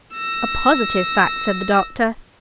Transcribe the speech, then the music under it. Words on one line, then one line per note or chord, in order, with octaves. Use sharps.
"A positive fact," said the Doctor.
E6 A#6